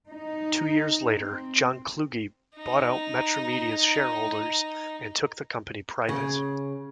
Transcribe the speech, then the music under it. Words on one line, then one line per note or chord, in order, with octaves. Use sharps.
Two years later, John Kluge bought out Metromedia's shareholders and took the company private.
D#4
C4
D#4
A#5
C#3